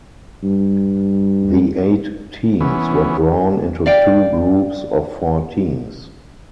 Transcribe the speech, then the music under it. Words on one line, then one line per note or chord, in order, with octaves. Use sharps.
The eight teams were drawn into two groups of four teams.
G2
E3 B3 C#4
D5 F5 G5